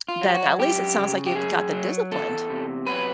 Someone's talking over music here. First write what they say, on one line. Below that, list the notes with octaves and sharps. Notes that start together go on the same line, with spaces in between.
then at least it sounds, like, you've got the disciplined.
F4
F#3
G4
F#4
F#2 G4
C#3
G4
F#2 G#4
F#3
E2 A4
C3
F#3 B4